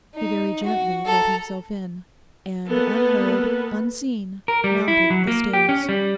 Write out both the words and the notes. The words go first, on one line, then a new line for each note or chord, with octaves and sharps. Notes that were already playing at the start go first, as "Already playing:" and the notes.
He very gently let himself in, and unheard, unseen, mounted the stairs.
D#4
F#4
A4 A#5
A#3 B3 A4 B4
A#4
G3
E4
F#3
A#3
G4
C#4
G3